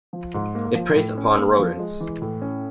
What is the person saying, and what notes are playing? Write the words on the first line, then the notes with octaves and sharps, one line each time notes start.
It preys upon rodents.
F3
G#2
A#3
F3
A2
C#4
A#3
F3
G#3
E3
A2
C#4